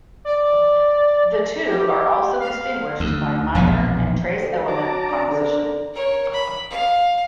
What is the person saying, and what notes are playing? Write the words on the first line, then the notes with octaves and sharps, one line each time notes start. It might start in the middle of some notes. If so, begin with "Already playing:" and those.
The two are also distinguished by minor and trace element composition.
D5
G4
F5
D2
E1 A#1 F3 B3
D2 G4
F#3 A5 A#5 D6
D4
D3 D4 A#4
A#4 C#5
B5
F5